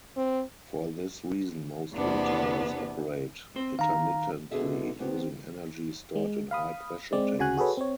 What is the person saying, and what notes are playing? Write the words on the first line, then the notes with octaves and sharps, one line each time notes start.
For this reason most wind tunnels operate intermittently using energy stored in high-pressure tanks.
C4
E2 C3 A#3 B3 D4
C4 C5
D#3 F5 A#5
B2 D3 G#4 E5
D2 B3 C4 G4
G#3
F5 B5 D#6
G#3 C4 D5
D2 C#3 F#4 G#5 F#6
F#4 G#4 A4 B4 C#5
C4 C#5